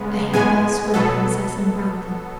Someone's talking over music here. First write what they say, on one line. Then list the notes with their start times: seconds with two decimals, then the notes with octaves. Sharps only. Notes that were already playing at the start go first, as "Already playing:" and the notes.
Ahead of us were the princess and Brandon.
Already playing: C#3 G#3 B3
0.34 A2 G#3 B3 G#5
0.94 B2 F#3 B3 A4